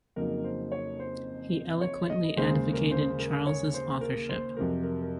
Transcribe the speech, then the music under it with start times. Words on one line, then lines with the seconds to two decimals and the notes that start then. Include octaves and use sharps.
He eloquently advocated Charles's authorship.
0.16 F2 C#3 F#3 A#3 D#4 A#4
0.44 C5
0.72 C#5
1.00 C5
1.81 C#5
2.10 D#5
2.37 D#2 C#3 G#3 C5
2.54 C5
2.73 A#4
2.91 C5
3.19 A#4
3.47 C#5
3.74 C5
4.01 A#4
4.29 C5
4.57 F2 C3 F#3 A#4
4.83 A#4
5.02 A#4